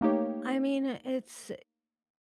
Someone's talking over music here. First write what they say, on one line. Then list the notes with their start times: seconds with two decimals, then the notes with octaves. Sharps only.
I mean, it's
0.01 A3 A#3 D#4 G4 C#5